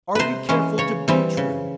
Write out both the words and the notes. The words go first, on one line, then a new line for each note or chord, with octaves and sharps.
Are we careful to be true?
C3 B4 C5
E3 G#3 C#4
C#3 C#5
E3 G3 C4
C#3